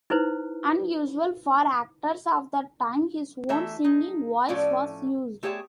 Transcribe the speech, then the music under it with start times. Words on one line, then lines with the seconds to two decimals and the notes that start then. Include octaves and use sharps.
Unusual for actors of the time, his own singing voice was used.
0.10 D#4 E4 B4 C5
3.49 E3 A3 E5 A#5
3.84 D#4 G#4
4.49 A2 F3 A3 C#4 D5
5.43 A3 G4 G#4 C#5 E5 A5